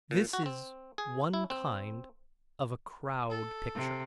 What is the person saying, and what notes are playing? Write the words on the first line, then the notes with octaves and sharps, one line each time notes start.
This is one kind of a Crowd Picture.
A#2
F#4
C4
G#4
E4
C4
A4
C3